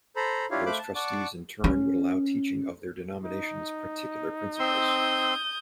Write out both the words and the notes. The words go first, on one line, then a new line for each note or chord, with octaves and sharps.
Those trustees in turn would allow teaching of their denomination's particular principles.
A4 C5 A#5 B5
D4 E4 F4 G4 C#5 F5
A3 C5 F5 B5 D6 F#6
A5
D5 F#5 A5 C#6 D6
C#4
D#4
C4 C6 D#6 E6 G6